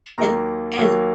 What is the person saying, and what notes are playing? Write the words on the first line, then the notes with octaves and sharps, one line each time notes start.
and and
D#2 D#3 F#3 A#3 A#5
D#2 D#3 F#3 A#3